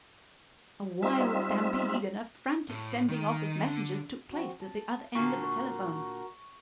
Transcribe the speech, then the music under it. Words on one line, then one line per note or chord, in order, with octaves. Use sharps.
A wild stampede and a frantic sending-off of messengers took place at the other end of the telephone.
G3 C4 D#4 F4 E5
A2
D#3
D3
F3 C4 F#4
A5
A#2 D3 F#4 A#4 C#6